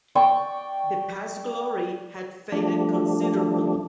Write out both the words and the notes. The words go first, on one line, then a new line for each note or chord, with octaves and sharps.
The past glory had faded considerably.
D5 G5 C#6
F3 G3 A3 D4